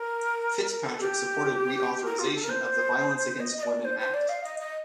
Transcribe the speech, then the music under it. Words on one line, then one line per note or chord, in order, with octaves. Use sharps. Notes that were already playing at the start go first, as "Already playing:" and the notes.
Fitzpatrick supported reauthorization of the Violence Against Women Act.
Already playing: A#4
A#4
A4
G4
A#4
F4
G4
A4
A#4
C5
D#5
D#5
D5
C5
C5
D5
F5
D#5
D#5